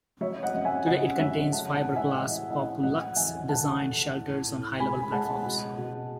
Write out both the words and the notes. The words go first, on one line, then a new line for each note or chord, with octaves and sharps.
Today it contains fiberglass populuxe designed shelters on high-level platforms.
F#3 C#5 E5
D#5 F#5
F#2
E5 G#5
C#3 D#5 F#5
F#2 C#5 E5
G#3 F#5 A5
F#5 A5
A2
E5 G#5
E3 D#5 F#5
A2 D#5 F#5
F#3 D#5 F#5
E2 E5 G#5
D#3 F#5 A5
A3
A2
A2
G#3 G#5 B5
G#3 F#5 A5
B2
B2